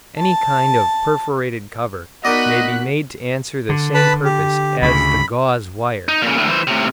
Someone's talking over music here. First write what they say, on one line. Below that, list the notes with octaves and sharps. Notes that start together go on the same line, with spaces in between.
Any kind of perforated cover may be made to answer the same purpose as the gauze wire.
A5
B3 D#4 F#4 A#4 D5 D#5 F#6 B6
D3
B4 A5 B5
G4
D2 C#3 B5
D#4
A#2 C#3
D2 A2
E3 C5
A2 C3